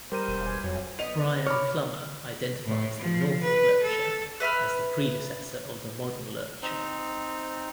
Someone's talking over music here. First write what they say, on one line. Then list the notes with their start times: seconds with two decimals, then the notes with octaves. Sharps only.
Brian Plummer identifies the Norfolk lurcher as the predecessor of the modern lurcher.
0.12 G3 A#4 C5 D#7
0.28 E1
0.46 G#5
0.64 F2 F#3
0.99 B3 D#5 F7
1.47 C#5 B5 D6 F6
2.65 A2
2.97 F3
3.43 B4
3.83 A4
4.40 B4 E5 B5 F6
6.62 C4 D#4